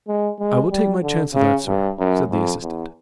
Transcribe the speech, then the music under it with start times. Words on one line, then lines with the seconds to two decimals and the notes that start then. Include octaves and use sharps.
"I will take my chance of that, sir," said the assistant.
0.08 G#3
0.40 G#3
0.71 G3
1.02 D3
1.34 C#3
1.67 G2
1.99 F#2
2.31 F2
2.62 E2